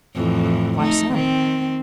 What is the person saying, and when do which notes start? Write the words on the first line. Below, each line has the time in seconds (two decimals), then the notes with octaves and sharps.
"Why so?"
0.15 F2 A2 E3
0.78 A3 D#4
1.12 D#3 C4